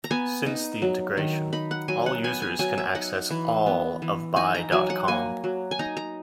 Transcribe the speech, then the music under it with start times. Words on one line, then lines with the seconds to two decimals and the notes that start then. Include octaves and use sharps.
Since the integration, all users can access all of buy dot com.
0.04 A#5
0.11 B3 G#5
0.46 D#4
0.82 F#3
1.17 D#3
1.53 D#4 B5
1.71 F#5
1.88 F#3 G#5
2.06 F#5
2.24 B3 G#5
2.42 G#5
2.59 F#3 G#5
2.78 E5
2.95 D#4 F#5
3.30 E3
3.66 B3
4.02 E3
4.36 D#4 G#5
4.55 A#5
4.72 F#3 G#5
4.90 F#5
5.08 A#3 G#5
5.44 F#3
5.71 G#5
5.79 D#4 A#5
5.97 A#5